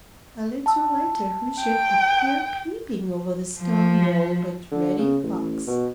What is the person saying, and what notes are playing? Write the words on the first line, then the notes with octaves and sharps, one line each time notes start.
A little later who should appear peeping over the stone wall but Reddy Fox.
A5 E6
G5
F3
D3
C#3
A1
B2